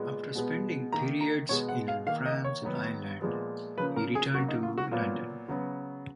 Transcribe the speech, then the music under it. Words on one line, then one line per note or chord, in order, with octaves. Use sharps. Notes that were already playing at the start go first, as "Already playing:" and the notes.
After spending periods in France and Ireland, he returned to London.
Already playing: A#2 G#3 B3
B2 G#3 B3
D#3 A#3 A#5
A#5
B2 G#3 B3 C#5
F#5
F5
D#3 A#3 F5
D#5
C#5
D#3 F#3 B3
A#2 F3 G#3 B3
C#3 F3 A#3 B4
A#4
G#4
C#3 F#3 A#3 F#4
D#4
F4
F#4
A#2 F#3 B3 F4
C#3 F#3 B3